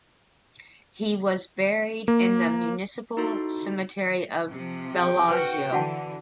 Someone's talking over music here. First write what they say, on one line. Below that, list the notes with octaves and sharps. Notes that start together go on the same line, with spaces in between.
He was buried in the Municipal Cemetery of Bellagio.
A#3
D#4 E4 F#4 A4 C5 C6
C3 F3
G#4 G5
F#4 B4 C5
D3 E3 F#4 F#5 A5